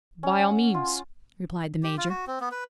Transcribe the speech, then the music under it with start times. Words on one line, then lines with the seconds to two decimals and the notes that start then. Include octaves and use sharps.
"By all means," replied the major.
0.23 C#4
0.39 F#5
0.74 F4
1.83 G4
1.97 F4
2.10 F#4
2.27 C4
2.41 B3
2.52 B4